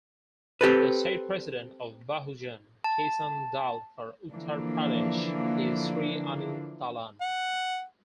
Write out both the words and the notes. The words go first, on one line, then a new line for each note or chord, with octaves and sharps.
The state president of Bahujan Kisan Dal for Uttar Pradesh is Sri Anil Talan.
C4 G4 A4 B4
A5
D3 E3 F3 A#3 D4
F#5